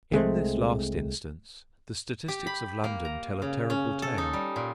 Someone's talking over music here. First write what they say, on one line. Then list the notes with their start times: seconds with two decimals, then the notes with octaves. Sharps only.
In this last instance, the statistics of London tell a terrible tale.
0.12 C2 G#3 A3 C4
2.28 G4
2.47 B5
2.84 A#3
3.05 A#5
3.42 C#3
3.70 C#4
4.02 A4
4.18 D#4
4.33 G3
4.56 A#2